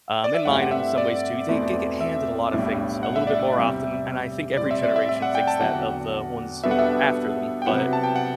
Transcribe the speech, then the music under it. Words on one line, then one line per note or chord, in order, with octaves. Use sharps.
um, and mine, in some ways too, they they get handed a lotta things a little bit more often, and I think every generation thinks that of the ones after them. But,
D5
E5
G2 E3 A3 C4 G4 F#5
F#5
E5
D5
E2 B2 A3 C4 E4
E5
B1 A2 G3 D4
F#5
E5
D5
E5
E2 C3 G3
A2 G3 C4 D5
E5
D5
E5
E5
F#5
G5
A5
E2 D3 F#3 F#5
B2 G3 B3 D4 A4 E5
F#5
E5
G5
C3 F#3 B3 E4 F#5
A5
G5
F#5